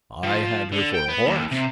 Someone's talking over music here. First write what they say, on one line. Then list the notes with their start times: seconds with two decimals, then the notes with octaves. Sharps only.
"I had her for a horse."
0.23 F3
0.72 D3
0.94 G5
1.08 B3
1.26 D#2
1.52 C3